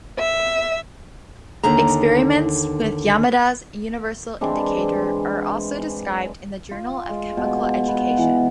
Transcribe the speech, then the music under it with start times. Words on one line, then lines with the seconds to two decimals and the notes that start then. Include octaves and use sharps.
Experiments with Yamada's universal indicator are also described in the "Journal of Chemical Education".
0.18 E5
1.63 D#2 D3 D#4 A#5
4.41 E3 G#3 C4 D4
6.71 F4
7.10 G#3
7.37 B2
7.88 B3
8.17 E3